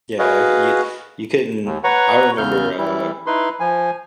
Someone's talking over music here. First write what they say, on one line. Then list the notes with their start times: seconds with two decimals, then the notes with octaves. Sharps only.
Yeah, I c y you couldn't I remember, uh,
0.19 F#4 G#4 B4 D#5 F5
1.65 D#2
1.84 B4 C#5 F#5 A#5 C#6
2.38 E2 C#3 F6 G6
2.77 E3 G3 E4
3.26 D#4 E4 B4 C6
3.60 F3 G#5